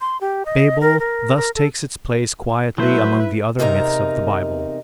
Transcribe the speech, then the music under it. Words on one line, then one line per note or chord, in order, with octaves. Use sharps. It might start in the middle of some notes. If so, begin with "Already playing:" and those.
Babel thus takes its place quietly among the other myths of the Bible.
C6
G4
D#5
A#4
A#4
A#4
A4
F#3 A3 E4 B4 C5 E5
E2 C3 D#4 G4 A#4